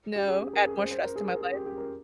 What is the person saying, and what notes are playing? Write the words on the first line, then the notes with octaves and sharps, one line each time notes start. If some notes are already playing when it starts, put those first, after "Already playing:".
No, add more stress to my life.
G4
G#4
G#4
A#4
G#4
C5
C5
A#4
G#4
A#4
G#4
G4
G4
A#4